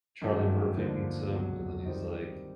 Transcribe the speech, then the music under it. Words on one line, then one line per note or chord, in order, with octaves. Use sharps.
Charlie Murphy meets him and then he's like,
G2 D#3 F#3 A3 C#4
D#2 D3 F3 A#3
C#2 B2 F#3
D#3 G3 C4 D#4